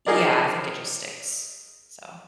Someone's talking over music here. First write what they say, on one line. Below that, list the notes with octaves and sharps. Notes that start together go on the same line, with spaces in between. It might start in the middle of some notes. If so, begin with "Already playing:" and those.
Yeah, I think it just sticks, so
D#4 F4 G#4 A#4 D5